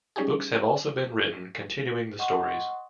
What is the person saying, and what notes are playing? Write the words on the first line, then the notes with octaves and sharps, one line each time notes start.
Books have also been written continuing the stories.
G3 C#4 D#4 G4 G#4
D#5 F#5 C6 C#6 D#6